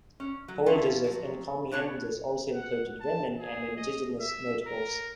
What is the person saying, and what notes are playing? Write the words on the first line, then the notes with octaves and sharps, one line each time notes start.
Holders of "encomiendas" also included women and indigenous notables.
C#4
F#3
C#4 E4 F4 A4
F3 F#3
B2 D4 C#5 A5
F#5
A5
G#4
D#5
E5
A#4